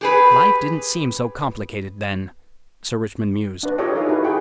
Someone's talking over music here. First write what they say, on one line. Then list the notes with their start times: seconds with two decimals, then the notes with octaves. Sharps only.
"Life didn't seem so complicated then," Sir Richmond mused.
0.01 G4 G#4 B4
3.63 D4 B4 D5
3.78 F4 G4 A4 C#5 D#5 G5
3.95 D#4 E4 A4 A#4 F5 G#5
4.09 E4 F#4 B4 D5
4.23 G#4 D#5 F#5 G5 B5 C#6